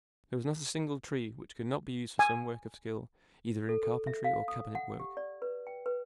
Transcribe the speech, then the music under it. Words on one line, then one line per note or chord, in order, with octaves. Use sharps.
There was not a single tree which could not be used for some work of skill, either in carpentry or cabinet-work.
G#5
A4
A4
E5
F5
D#6
F#5
G4
D5
B4
G5
B4